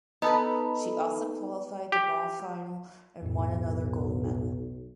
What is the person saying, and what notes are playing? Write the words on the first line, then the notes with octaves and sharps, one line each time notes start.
She also qualified to Ball final and won another gold medal.
B3 D#4 A4 B4
G4
B1 F2 A2